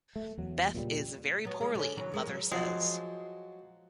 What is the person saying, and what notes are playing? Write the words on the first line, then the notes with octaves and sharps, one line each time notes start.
Beth is very poorly, mother says.
A3
E2 F#3
A#2 C#3 F3 G3
F#3 B3
E3 G#3 C#4
D3 C#4
D#3 E3 F#3
E2 G#3 A#3
F#3
F3 F#3 G#3